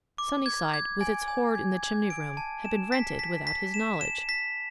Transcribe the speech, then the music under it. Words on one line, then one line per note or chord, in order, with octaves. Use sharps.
Sunnyside, with its hoard in the chimney-room, had been rented without his knowledge!
D6
G#6
G#6
G#5
G#5
G#6
G#6
D7
A5
E7
B6
B6
B6
E7
E7
B6